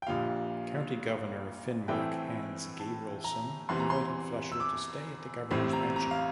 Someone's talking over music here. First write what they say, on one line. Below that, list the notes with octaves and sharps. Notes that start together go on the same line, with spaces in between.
County Governor of Finnmark Hans Gabrielsen invited Fleischer to stay at the governor's mansion.
G5
A#1 A#2 G3 F5
A2 E3 A3 C4 E4 G5
A5
A#5
E2 E3 G3 C4 C6
A#5
C6
E6
D6
A1 A2 G3 C4
A#5
A#5
F5